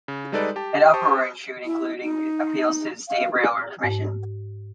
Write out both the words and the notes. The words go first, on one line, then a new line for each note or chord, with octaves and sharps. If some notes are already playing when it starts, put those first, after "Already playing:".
An uproar ensued, including appeals to the State Railroad Commission.
C#3
G3 G#3 D#4 A4 B4 D5
G4 A5
G4 C5 A5 C#6 D#6
E4
D#4
F5
G#2